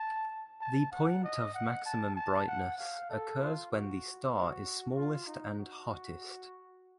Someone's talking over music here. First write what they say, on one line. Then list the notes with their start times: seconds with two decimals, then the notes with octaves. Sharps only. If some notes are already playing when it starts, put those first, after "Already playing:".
The point of maximum brightness occurs when the star is smallest and hottest.
Already playing: A5
0.61 A5
0.92 F#5
1.24 D#5
1.54 F#5
1.86 A5
2.16 A5
2.47 F#5
2.78 F5
3.10 A4
3.41 F4
3.71 F#4
4.34 F#4
4.96 F4
5.27 D#4
5.58 F#4